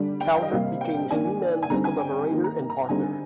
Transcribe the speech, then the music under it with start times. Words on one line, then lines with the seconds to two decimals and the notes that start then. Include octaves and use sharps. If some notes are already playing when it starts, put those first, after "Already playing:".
Calvert became Schliemann's collaborator and partner.
Already playing: D3 G3 D4
0.21 G5
0.32 F5
0.42 D#5
0.51 C3 G3 A#3 F5
0.81 G5
1.11 D#3 A#3 D4 G#5
1.63 G#5
1.70 D3 G3 C4 D#4 A#5
1.85 G#5
2.00 G5
2.30 D#3 A#3 D#4
2.44 A#5
2.70 A#5
2.89 D3 G3 C4 D#4 G#5